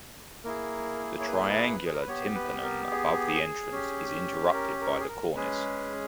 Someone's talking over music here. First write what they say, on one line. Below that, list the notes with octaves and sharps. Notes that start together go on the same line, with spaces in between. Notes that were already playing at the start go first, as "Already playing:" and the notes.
The triangular tympanum above the entrance is interrupted by the cornice.
A#3 E4 G#4 A#4
C#5
B4
G#4
A#4
B4
B3 G4 C#5
B4
A#4
G#4
C#4 G4
A#4
A#4
G#4
A#4
G#3 C#4 G#4 B4